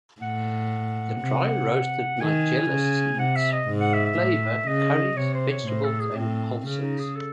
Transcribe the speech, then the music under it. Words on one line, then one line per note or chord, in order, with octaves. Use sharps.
The dry-roasted nigella seeds flavor curries, vegetables and pulses.
A2 F#5
C3
D#3 G#5
C#3
C3 F#5
E5
D#5
G#2
F#5
E5
E5
A2
C#3 D#5
C3 C#5
C5
C#5
A2 C5
A4
G#4
A2 C4
C#3 C#4
D#4
G#4
A4